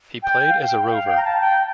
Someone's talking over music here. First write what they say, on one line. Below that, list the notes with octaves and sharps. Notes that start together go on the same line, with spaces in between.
He played as a rover.
G5
F5
G5
F5
G5
A#5
A5
G5